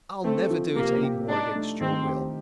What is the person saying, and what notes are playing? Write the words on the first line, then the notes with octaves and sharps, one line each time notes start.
I'll never do it any more against your will.
A3 C4
F3
C3 A#3
G4
D4 D#4
A3
D#3 C4
G4